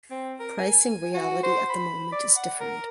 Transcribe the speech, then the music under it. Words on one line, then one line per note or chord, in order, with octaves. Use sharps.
Pricing reality at the moment is different.
C4
A#4
G#5
F#4
C5
B5
D5
F#5
A#4